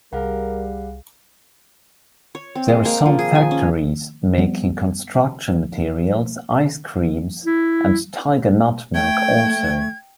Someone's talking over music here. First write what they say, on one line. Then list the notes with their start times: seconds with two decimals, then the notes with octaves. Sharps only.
There are some factories making construction materials, ice creams and tiger nut milk, also.
0.13 C2 G3 G#4 A#4 F5 F#5
2.35 C#5
2.55 C4
2.68 G#3
2.85 A#3
3.06 F3
3.19 G#4
3.35 G#5
3.51 C#4
4.38 F3 G3 B3
7.45 E4
8.94 A3 G5 G#6